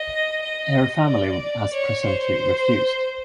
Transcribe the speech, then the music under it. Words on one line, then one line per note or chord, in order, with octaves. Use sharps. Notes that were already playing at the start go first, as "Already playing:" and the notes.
Her family has presently refused.
Already playing: D#5
D#5
D5
C#5
C5